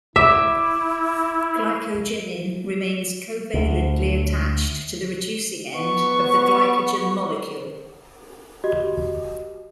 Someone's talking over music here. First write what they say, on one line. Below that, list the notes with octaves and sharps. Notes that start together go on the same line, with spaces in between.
Glycogenin remains covalently attached to the reducing end of the glycogen molecule.
E4 E5 D6
D2
B3 C#6
F#4 G4 D#5